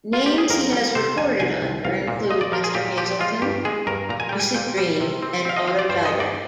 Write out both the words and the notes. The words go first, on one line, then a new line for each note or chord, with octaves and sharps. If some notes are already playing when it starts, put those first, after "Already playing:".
Names he has recorded under include Mr. Hazeltine, Lucid Dream, and Autodidact.
F4
G4
G#4
F2 A#4
G3
C3 C5
F2 G#5
C2 G#5
C2
C2 F5
A#2
A#2 D#5
D5
F3 A#4
G#4
A#2 G4
F3 G4
G#3 F4
G2 G4
G#3 G#4
G2 A#4
A#2 A#5
G#5
G3 G5
G#5
A#2 G5
G3
C3
C4
C4 F5
D#5
C4 F5
D5
G2 C5
D#5
G2
D5